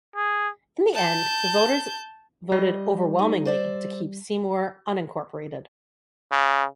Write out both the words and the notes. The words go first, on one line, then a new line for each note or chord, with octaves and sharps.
In the end, the voters voted overwhelmingly to keep Seymour unincorporated.
G#4
A5 G6
G3 D#5
D#4
C5 D5 E5
C#3